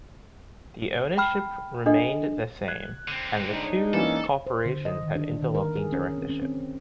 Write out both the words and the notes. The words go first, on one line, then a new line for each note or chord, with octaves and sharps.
The ownership remained the same, and the two corporations had interlocking directorships.
G5 B5 F6
D4 A4 D#5
F#6 G#6
D3 C4
G#2 D4 D#4
E3 A#3 C#4 A4
C5
D3
D#5
D#3
D4
D#3
A#4
G#4
C#4
C4
C#4
C4